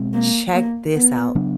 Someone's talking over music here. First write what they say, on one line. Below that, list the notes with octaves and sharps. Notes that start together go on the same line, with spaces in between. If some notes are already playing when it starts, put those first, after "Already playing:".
Check this out.
Already playing: B2 G#3 C4
A#3
A#3
B3
C#3 F#3 B3 D4